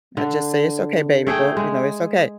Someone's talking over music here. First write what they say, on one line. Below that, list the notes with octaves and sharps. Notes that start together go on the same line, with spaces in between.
I just say, "it's okay, baby, go you know, it's okay.
D3
A3 G#4 G5
G#3